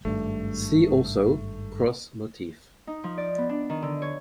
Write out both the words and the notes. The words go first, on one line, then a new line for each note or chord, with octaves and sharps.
See also: Cross motif.
G#1 G2 A3
D#4
F3
D5
B3
D4
D#3
D3
C#5